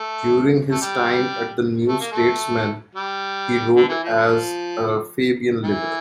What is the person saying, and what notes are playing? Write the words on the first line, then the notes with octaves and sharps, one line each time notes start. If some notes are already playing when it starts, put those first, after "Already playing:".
During his time at the "New Statesman" he wrote as a "Fabian liberal".
Already playing: A3
A3
G3
A3
A#3
A3
G3
D3
E3
F3
E3